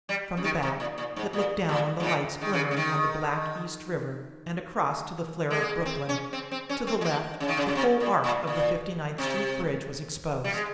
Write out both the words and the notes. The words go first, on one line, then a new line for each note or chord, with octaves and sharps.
From the back it looked down on the lights glimmering on the black East River and across to the flare of Brooklyn; to the left the whole arc of the Fifty-ninth Street Bridge was exposed.
G3
C#3
D#3
C3
A#2
A#2
G#2
A#2
A#2
G#2
A#2
D#3
C#3
C#3
D#3
G#3
A#3
C4
C#4
C4
C4
C#4
C4
G#3
A#3
C#3
D#3
C#3
C#3
C3
A#2
A#2
A#2
C3
G3
G#3